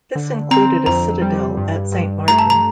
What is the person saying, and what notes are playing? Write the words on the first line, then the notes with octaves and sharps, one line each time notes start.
This included a citadel at Saint Martin.
D3
C4 A#5
F2 A#5
G3
G2
G2
A3 A#5
A5
A#5